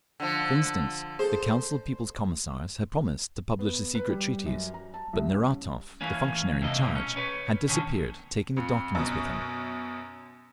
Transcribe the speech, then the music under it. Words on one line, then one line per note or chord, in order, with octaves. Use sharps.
For instance, the Council of People's Commissars had promised to publish the Secret Treaties; but Neratov, the functionary in charge, had disappeared, taking the documents with him.
D3 F3
G#4 A4 C5
B3
B4
G3
F#2
A#5
A5
C2
C#4
E3 A#3 C#4
C3 A#3 D#5
B2 A3 A#3
C#4
B4 C#5
B2 D3 D#3 C#4
F2
F#2 B2